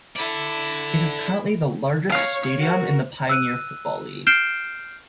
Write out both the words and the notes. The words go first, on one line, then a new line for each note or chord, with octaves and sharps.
It is currently the largest stadium in the Pioneer Football League.
E4 A4 D5
C#5 F5
F#4 A#4
E6 F#6 D#7
F6 G6 C7 D7 E7 G7